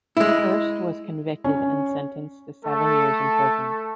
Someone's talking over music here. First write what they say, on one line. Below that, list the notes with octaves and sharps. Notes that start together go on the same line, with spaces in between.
Hearst was convicted and sentenced to seven years in prison.
G#3 E4
C#4
A3 A4